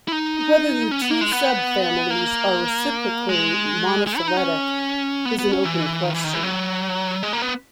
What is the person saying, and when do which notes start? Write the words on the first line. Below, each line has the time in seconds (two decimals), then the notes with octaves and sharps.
Whether the two subfamilies are reciprocally monophyletic is an open question.
0.08 E4
0.12 D#4
0.91 C#4
1.02 B3
1.11 A#3
1.21 G#3
1.32 B3
2.10 A#3
3.29 G#3
4.07 G#3
4.17 E4
4.28 D#4
4.37 C#4
5.25 B3
5.39 B3
5.52 C#4
5.65 E3
6.04 D#3
6.14 E3
6.24 D#3
6.34 E3
6.43 F#3
7.23 G#3
7.33 A#3
7.42 B3